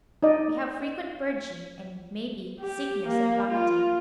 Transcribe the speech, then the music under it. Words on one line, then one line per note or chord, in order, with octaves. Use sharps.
We have frequent purging and, maybe, sickness and vomiting.
D#4 D5 D#5
G4
A#3
F4